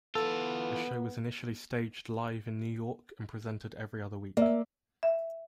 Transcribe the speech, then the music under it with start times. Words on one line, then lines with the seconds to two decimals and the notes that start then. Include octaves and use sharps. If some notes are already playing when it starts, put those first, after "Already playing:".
The show was initially staged live in New York and presented every other week.
0.15 E3 B3 F4 A4
4.37 A#3 D5 E5
5.03 E5